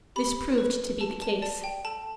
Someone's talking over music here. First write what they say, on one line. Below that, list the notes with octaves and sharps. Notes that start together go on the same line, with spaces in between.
This proved to be the case.
G4 B5
B4
A4 A5
A5
D5 A5
G5
A4 A5